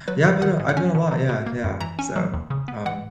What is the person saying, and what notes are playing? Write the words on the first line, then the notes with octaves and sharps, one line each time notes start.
Yeah, I've been a I've been a lot Yeah, yeah, so, um
F#3 B4
G#2 F#5
D#3 F#5
G#2
F#5
C#4 G#5
B2
F#3
B2
A#3
F#2
E3 A#5
C#4 G#5
F#3
D#2
C#3
B3
E3 F#5